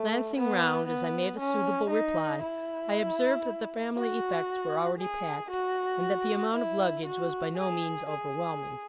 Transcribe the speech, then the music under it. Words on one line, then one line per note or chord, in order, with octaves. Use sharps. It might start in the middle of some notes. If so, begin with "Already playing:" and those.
Glancing round as I made a suitable reply, I observed that the family effects were already packed, and that the amount of luggage was by no means overwhelming.
Already playing: A3
B3
B3
C#4
D#4
E4
F#4
G#4
F#4
E4
F#4
G#4
G#4